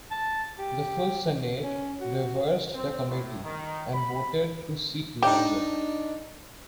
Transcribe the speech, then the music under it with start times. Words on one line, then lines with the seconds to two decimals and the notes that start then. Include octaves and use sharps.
The full Senate reversed the committee, and voted to seat Langer.
0.11 A5
0.59 G4
1.63 C#4
2.01 F#4
2.74 C4
3.08 A2
3.43 D#3
3.92 B5
5.22 D4 D#4 G4